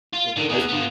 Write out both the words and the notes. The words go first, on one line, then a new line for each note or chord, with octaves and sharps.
with Ice Cube?
F4
D3 D#3
B3 G#4
B3 F4